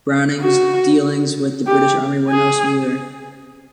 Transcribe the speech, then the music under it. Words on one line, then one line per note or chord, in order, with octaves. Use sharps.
Browning's dealings with the British Army were no smoother.
F#4
G4
G#4